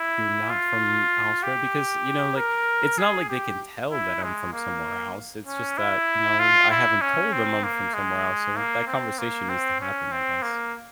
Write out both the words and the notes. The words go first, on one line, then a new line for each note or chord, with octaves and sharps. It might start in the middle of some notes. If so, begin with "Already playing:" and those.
you're not from elsewhere because, you know, like, it's not like they can tell that I'm from somewhere else, it's just that, no, I haven't told them I'm from somewhere else, so that conversation needs to happen, I guess.
Already playing: E4
F4
G4
A#4
G#4
G4
E4
G#3
A#3
C#4
E4
F4
E4
C#4
C4
A#3
G#3
A#3
C4
A#3
C4
C#4
C4
A#3